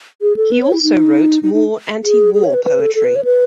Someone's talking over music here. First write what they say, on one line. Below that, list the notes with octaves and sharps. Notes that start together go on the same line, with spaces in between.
He also wrote more anti-war poetry.
G#4
A4
B4
C#5
E4
D#4
D#4
D#4
G#4
G#4
C#5
B4
B4
A4
A4
B4
C#5
B4